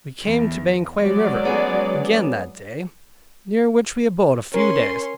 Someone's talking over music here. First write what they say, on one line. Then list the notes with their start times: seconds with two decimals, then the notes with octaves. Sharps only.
We came to Banquang river again that day, near which we abode a few days.
0.24 E2
1.03 F#3 G#3 D5
1.45 B3 C#4 G#4
4.54 C#4 A#4 C6